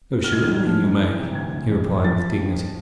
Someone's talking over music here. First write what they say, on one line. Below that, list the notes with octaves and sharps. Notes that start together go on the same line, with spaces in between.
"Assuredly you may," he replied with dignity.
F6
G#2 G#6
G#6
G#2
F6
F3
G#2
E3
C3
D2 G#6
D2
F2
F2
F3 A6